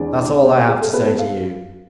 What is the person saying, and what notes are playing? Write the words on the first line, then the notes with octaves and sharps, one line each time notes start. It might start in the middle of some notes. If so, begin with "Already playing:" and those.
That's all I have to say to you.
Already playing: E2 D3 G#3 C4 D5
C3 G#3 B3
G#4
A4
C3 G#3 B3 B4
A4
F5